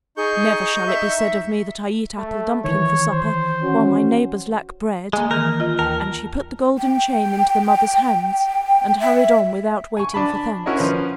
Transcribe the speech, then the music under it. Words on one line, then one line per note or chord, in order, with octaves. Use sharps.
"Never shall it be said of me that I eat apple dumpling for supper while my neighbors lack bread;" and she put the golden chain into the mother's hands and hurried on without waiting for thanks.
D#4 G#4 C#6 G6
E5
A3
D#3 E3 C#5
C5
C#4 F#4
G#3 A#3 G#5
D#3 E3 A#4
F4 D#5
D#2 A#4 A5
G5
E5
G#5 C#6
D4 A5 B5
C#4 E4 F#4 A#4 C#5 D#5
F3 C#4 B4 C5